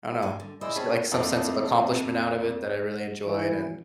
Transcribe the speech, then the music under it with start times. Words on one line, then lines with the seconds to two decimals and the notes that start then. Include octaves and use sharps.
I don't know. Just get, like, some sense of accomplishment out of it that I really enjoyed, and
0.22 G2 C5 G#5
0.40 D3
0.61 G#3 E4 C5 D5 D#5 E6
0.76 C4 C#4 G#4 C#5 A5 B5
1.12 F2 C3 A4 D#5 D6
3.26 E3